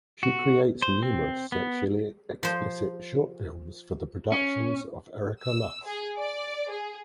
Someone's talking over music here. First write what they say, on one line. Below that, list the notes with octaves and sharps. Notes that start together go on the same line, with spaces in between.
She creates numerous sexually explicit short films for the productions of Erika Lust.
F#4
C5
C4
B3
F3 C5
C#4
E6
G#4
D5
G#4